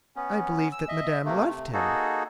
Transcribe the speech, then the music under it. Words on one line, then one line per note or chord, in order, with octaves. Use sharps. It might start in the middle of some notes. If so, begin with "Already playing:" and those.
"I believed that Madame loved him."
B3 C#4
E6
D#5 E5
C3 A3 A#3
C3 A3
A#3 D#4 F#4 G#4 A4